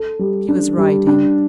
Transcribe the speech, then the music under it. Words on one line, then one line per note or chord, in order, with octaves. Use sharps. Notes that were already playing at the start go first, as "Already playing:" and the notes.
She was writing.
Already playing: A4
G3
D4
G3
D4